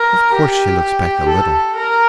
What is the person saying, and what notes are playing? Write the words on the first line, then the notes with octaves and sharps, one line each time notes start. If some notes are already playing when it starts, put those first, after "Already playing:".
"Of course she looks back a little."
Already playing: A#4
G4
A4
A#4